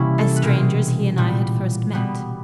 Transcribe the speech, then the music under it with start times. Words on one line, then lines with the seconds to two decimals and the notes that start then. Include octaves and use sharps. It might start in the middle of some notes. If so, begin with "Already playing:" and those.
As strangers he and I had first met.
Already playing: C3 E3 G3 A#3 C#4 E4
0.18 A4
0.36 B4
0.43 B2 G#3 C4 A#4
1.18 A#2 G3 B3
1.93 B2 G3 B3